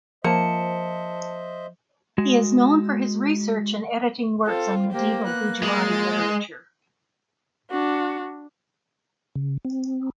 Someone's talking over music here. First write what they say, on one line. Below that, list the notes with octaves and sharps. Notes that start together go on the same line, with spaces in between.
He is known for his research and editing works on medieval Gujarati literature.
F3 A#3 C5 D#5 E5 A5 C#7
G#3 F#4
C4 F4 A4
A#3 G4 C5
B3 F#6
G#3 A6
D4 F#4
C#3
C4